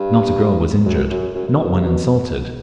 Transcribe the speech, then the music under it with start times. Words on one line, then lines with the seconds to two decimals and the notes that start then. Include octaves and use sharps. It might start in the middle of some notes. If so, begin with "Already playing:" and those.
Not a girl was injured, not one insulted.
Already playing: G2
0.85 F#2
1.10 F#2
1.35 F#2
1.47 F#2
1.60 E2
1.72 G2
1.84 B2